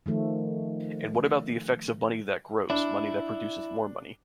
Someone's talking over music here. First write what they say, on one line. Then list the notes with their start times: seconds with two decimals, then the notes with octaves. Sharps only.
And what about the effects of money that grows, money that produces more money?
0.06 D#3 F3 A3
2.70 D4 E4